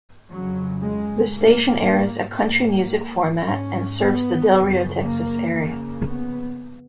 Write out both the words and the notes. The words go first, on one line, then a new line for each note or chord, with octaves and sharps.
The station airs a country music format and serves the Del Rio, Texas area.
F2 C#3 F#3
G#3
G#2 A#3
G#2 A#3
G#2 C#4
B3
F#2 C#3
A#3
F2 C#3 A#3
B3